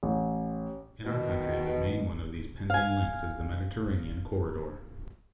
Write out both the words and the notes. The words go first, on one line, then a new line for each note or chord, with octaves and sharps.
In our country the main one of these pending links is the Mediterranean corridor.
A1
B2 D#3
F5 G#5